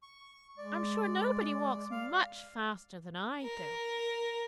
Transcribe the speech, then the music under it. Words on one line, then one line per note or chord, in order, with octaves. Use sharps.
'I'm sure nobody walks much faster than I do!'
C#6
G#3 D5
F5
A#4